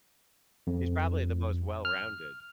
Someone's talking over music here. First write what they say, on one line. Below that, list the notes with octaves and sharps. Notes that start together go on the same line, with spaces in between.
He's probably the most well-rounded
F2
F6